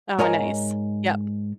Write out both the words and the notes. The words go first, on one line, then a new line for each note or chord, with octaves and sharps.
Oh, nice. Yep.
G#2 A#4 C#5 D#5 G#5 A#5